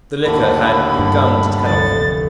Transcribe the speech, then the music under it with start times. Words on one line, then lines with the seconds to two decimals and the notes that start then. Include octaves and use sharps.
The liquor had begun to tell on him.
0.25 D#2 A2 D3 B5
0.99 G2
1.66 F1 D2 A6